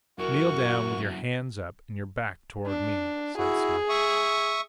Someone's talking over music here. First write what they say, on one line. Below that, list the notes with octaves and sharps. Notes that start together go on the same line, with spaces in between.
"Kneel down with your hands up and your back toward me!" said Smith.
F#2 E4 F#4 A#4 C#6
D4
E4 F#4 G#4
E5 C#6 D#6